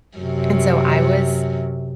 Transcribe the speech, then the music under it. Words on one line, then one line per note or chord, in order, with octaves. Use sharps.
and so I was,
F#2 C3